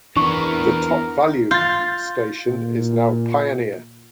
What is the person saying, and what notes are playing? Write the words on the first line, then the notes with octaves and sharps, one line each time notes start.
The Top-Valu station is now Pioneer.
E3 B3 D4 A#4 C#6
F4 G6 A6
A#2